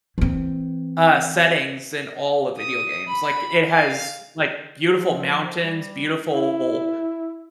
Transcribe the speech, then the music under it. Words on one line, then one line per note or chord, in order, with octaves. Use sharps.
uh, settings in all of video games, like, it has, like, beautiful mountains, beautiful
E3 C4
D#6
B5
F5
F3
G3
E4